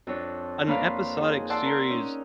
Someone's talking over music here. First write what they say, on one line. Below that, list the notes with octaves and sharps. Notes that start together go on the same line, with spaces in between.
an episodic series
F2 D4 C#5
A#3 D4 B4 C#5 F5 C6
D#4 G#4
D5 E5 F#5 A5 C6
A#4
C#4 D#4